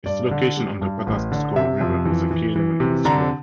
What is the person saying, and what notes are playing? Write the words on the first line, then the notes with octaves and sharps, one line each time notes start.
Its location on the Patapsco River was a key element in its growth.
G2 D5
D3
G3
G2
A1
D3
C3 E5
F2
E3
E3
E3
C3
D3 A#5